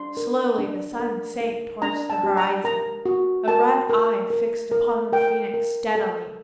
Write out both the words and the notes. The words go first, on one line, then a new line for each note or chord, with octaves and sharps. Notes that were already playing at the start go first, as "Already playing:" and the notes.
Slowly the Sun sank towards the horizon, a red eye fixed upon the Phoenix steadily.
Already playing: D4 C6
A#4
D4
A#4
A#4
D4 A#5
A5
G4
A#5
A#4 A#5
F#4
A#4 A5
A#4
A#4
A#4
A#4 G5
A#4
A4